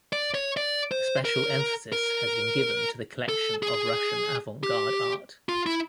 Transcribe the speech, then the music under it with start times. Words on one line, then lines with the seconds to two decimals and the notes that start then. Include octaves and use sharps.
A special emphasis has been given to the collection of Russian avant-garde art.
0.13 D5
0.34 C#5
0.57 D5
0.91 C5
1.25 A#4
1.93 A#4
3.29 A4
3.63 G#4
4.64 G4
5.49 F4
5.66 E4